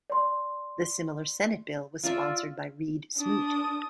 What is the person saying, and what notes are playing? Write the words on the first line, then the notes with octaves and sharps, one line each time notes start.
The similar Senate bill was sponsored by Reed Smoot.
D5 C6
F4 D5 E5
D4 D#6